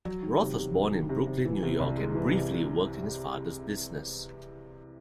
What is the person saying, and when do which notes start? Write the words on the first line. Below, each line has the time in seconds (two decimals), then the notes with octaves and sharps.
Roth was born in Brooklyn, New York and briefly worked in his father's business.
0.05 F#3
0.23 D#3
0.40 C3
0.58 C3
0.75 F#3
0.93 D#3
1.09 C3
1.27 C3
1.45 E3
1.63 C3
1.79 C2
1.97 G#3
2.14 E3
2.32 C3